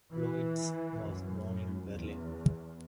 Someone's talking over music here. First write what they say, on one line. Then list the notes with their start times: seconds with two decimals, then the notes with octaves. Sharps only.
Ploetz was born in Berlin.
0.11 E3
0.99 F#2
1.87 E2